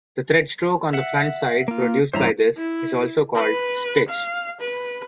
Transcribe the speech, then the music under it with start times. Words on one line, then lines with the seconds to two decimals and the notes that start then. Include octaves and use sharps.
The thread stroke on the front side produced by this is also called "stitch".
0.93 E5 F#5
1.68 A#3 F4
2.13 A1 G2 C5 E5 A#5
2.57 E4
3.35 B4
4.09 F5
4.61 B4